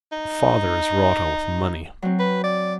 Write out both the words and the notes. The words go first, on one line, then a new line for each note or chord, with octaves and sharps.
The father is rotto with money.
D#4
F#3 C4
B4
D5